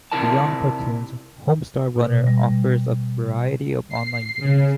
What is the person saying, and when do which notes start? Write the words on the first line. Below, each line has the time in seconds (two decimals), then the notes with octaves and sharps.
Beyond cartoons, "Homestar Runner" offers a variety of online games.
0.12 C3 D#4 E4 A#4 D5 A5
1.96 B2
2.27 G3
3.90 C7
4.41 C#3